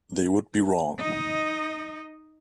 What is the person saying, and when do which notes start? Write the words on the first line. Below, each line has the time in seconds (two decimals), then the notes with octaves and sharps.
They would be wrong.
0.98 D#4 D#5